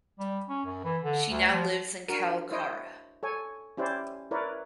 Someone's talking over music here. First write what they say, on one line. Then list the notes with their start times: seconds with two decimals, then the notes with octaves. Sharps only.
She now lives in Kalkara.
0.19 G3
0.49 C#4
0.66 F#2
0.84 E3
1.03 D3
1.29 D2
1.52 F3
2.08 D4 F#4 A#4
2.51 E4 C5 C#5 D#5
3.23 A4 C#5 G#5
3.77 C#4 E4 G4 C5 D5
4.31 E4 A#4 B4 C#5 D5